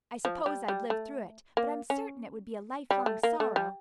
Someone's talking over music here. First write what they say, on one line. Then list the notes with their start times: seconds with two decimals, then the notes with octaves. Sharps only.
I suppose I'd live through it, but I'm certain it would be a lifelong sorrow.
0.25 F3
0.46 G3
0.68 G3
0.90 A3
1.57 A#3
1.90 C#4
2.91 G3
3.06 A3
3.23 A#3
3.40 A3
3.56 G3